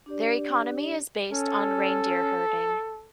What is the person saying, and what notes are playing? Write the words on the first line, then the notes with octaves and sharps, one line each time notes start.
Their economy is based on reindeer herding.
D4 G4 D5
C#4 A4